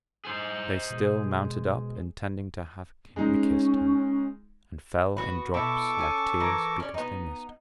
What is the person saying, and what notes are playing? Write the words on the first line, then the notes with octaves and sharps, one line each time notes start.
"They still mounted up intending to have kiss'd him. And fell in drops like tears because they missed him."
G#4 C5
B2 G#3
G#3 C#4 D#4
B3 F#4 B4
B2 E4 A4 C#6 D6
C#4 G#5
E3 A#4
C#4 D5
B3 D#4